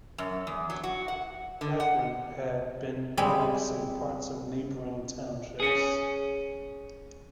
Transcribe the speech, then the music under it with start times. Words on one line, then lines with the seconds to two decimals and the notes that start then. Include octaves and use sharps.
Akron had been annexing parts of neighboring townships.
0.18 F#2
0.47 E2
0.70 F#3
0.84 F#4
1.08 F#5
1.61 D3
1.80 F#5
3.17 G3 G#3 C4 G#4 B5
5.60 C#4 G#4